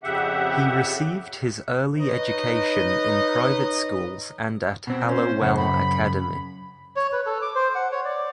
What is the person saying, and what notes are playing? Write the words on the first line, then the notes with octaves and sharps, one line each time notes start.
He received his early education in private schools and at Hallowell Academy.
F2 C#3 G4 E5 F#5
D#4 B4 C#5 D#5
B2 C4
C#4 C5
F#2 C#3 F#5
B5
C#5
B4
A4
D6
C5
F#5
C#5
D5